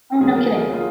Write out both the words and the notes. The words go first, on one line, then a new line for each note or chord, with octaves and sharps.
Oh, no kidding.
D#2 C#3 F#3 G#4
A#4
G#4
A#4
F4 G#4